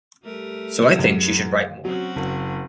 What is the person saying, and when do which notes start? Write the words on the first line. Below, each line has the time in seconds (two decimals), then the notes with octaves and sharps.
So I think she should write more.
0.24 G3 A3 A#4
0.99 F#2
1.85 F#3 C4 C#4 F#4
2.16 F#1